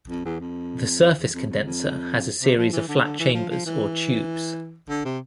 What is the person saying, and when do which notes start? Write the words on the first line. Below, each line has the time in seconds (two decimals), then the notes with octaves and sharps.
The surface-condenser has a series of flat chambers or tubes.
0.09 F2
0.25 E2
0.40 F2
1.19 E2
1.33 F2
1.49 F2
1.64 F2
2.42 C3
2.57 F3
2.73 E3
2.88 D3
3.04 D3
3.19 E3
3.34 F3
3.50 F3
3.66 E3
4.89 D3
5.05 C3